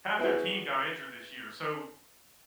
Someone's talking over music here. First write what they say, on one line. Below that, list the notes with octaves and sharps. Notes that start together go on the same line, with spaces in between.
half their team got injured this year, so
B3 E4 F#4 G#4 B4